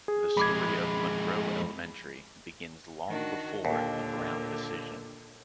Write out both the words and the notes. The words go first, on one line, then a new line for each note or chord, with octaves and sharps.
The story of Monroe Elementary begins long before the "Brown" decision.
G#4
F2 G#3 B5 D6 G#6
D#3 D4 F#4
D#2 A#2 D3